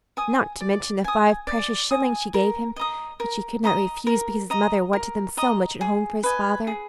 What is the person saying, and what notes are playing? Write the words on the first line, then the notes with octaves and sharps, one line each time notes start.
Not to mention the five precious shillings she gave him, which he could not refuse because his mother wanted them so much at home for his father.
G#5 D#6
D5
G#5 D#6
D5
G#5 D#6
A#4
D#5 A#5 D#6
A#4
D#5 A#5 D#6
A#4
D#5 A#5 D#6
A#4
D#5 A#5 D#6
G#4
B4 D#5 G#5
G#4